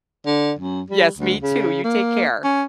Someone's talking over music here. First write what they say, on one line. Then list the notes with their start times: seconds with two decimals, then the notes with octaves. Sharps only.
yes, me too, you take care.
0.26 D3
0.59 F#2
0.90 G3
1.18 D2
1.42 C#3
1.84 A#3
2.44 C#4